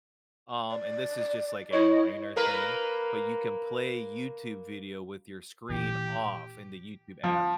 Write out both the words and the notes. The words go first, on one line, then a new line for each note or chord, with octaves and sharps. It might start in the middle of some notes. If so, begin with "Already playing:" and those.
um, and this is just, like, a minor thing, but you can play YouTube video with your screen off in the YouTube app.
D5
E4 C#5 D#5
A#3 A#4 B4
A#2 E3 G4
F3